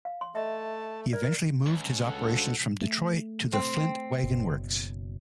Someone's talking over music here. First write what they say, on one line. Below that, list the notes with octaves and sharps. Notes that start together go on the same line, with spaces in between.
He eventually moved his operations from Detroit to the Flint Wagon Works.
F5
C6
A3 D#5 E5 A5
A#4 D5
C#2
D2 A4 F#5
A3
C4
F#1 B2